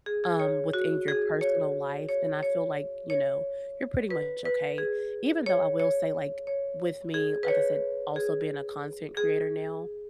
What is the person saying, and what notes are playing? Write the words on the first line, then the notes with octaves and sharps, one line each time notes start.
um, within your personal life, then I feel like, you know, you're pretty much okay. Even though I will say, like, with me, like I said, also being a content creator now,
G#4
G#4
C#5
F#4
G#4
C#5
C#5
C#5
C#5
B4
B4
G#4
C#5
C#5
C#5
G#4
B4
C#5
G#4
G#4